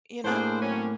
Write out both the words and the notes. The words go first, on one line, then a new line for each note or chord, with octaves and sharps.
you know?
A2 A#3 D4 G#4 C5
F#3 C4 C#4